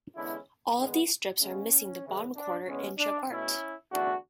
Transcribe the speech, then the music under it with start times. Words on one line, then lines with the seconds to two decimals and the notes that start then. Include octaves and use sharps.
All of these strips are missing the bottom quarter inch of art.
0.15 E2 D3 G#3 B3 C#4 E4
0.78 E2 D3 G#3 B3
1.41 C#3 G#3 B3 C#4
2.04 C#3 E3 G#3
2.35 D4
2.66 E2 C#3 G#3 B3 C#4
2.98 D4
3.29 B2 A3 C#4 E4
3.92 E2 D3 A3 D4 F#4